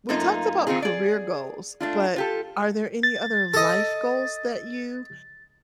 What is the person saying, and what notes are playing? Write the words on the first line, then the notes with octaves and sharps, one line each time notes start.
We talked about career goals, but are there any other life goals that you,
F#2 A3 A#3 D#4 F4
D#3 C4 D#4 F4 G#4
G#4 D5
A3 D4 F4
F4 G4 A4
A6
A4 D#5